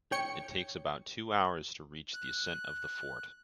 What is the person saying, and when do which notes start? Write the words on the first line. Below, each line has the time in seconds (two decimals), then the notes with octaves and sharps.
It takes about two hours to reach the ascent of the fort.
0.12 C#5 G5 C#7
2.14 F#6